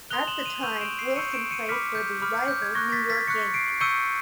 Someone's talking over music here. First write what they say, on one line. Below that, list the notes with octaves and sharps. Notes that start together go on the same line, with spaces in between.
At the time, Wilson played for the rival New York Yankees.
C6 D#6 F#6 F7 G7
E7 F#7
D#7 F7
C#6 E6 G6 D#7 F7
D7 E7
C7 D7
C#6 E6 G6 C#7 D#7
D7 E7
C#7 D#7
B5 D6 F6 B6 C#7
G6
B5 D6 F6
G6
G6
G#6
C#6 F#6 G#6 A#6
A6 B6
A6 B6
C#6 F#6 B6 C#7
C7 D7
C#6 E6 G6 C#7 D#7